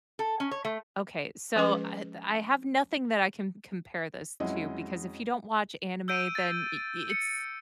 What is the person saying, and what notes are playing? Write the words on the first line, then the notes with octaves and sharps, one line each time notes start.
okay, so, eh, I have nothing that I can compare this to because if you don't watch anime, then i it's
A4
C#4
C#5
A3
F3 G#3 C#4 G#4 B4 D6
F2 F#3 G#3 C#4 E4 D#5
E6 G6 D7 D#7
A6
C#7